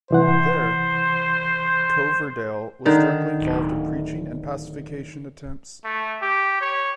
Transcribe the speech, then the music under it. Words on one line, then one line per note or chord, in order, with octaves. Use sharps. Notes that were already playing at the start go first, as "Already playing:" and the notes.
There, Coverdale was directly involved in preaching and pacification attempts.
C2 E3 C5 F#5
D3 D#3
D1
A3
G4
C#5